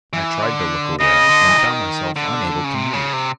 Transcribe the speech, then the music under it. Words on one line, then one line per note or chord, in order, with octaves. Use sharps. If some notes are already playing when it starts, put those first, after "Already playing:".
I tried to look away, and found myself unable to move.
E3
D3
C#3 D#5
D3
E3
D#3
D3
C#3
C3
C#3
C3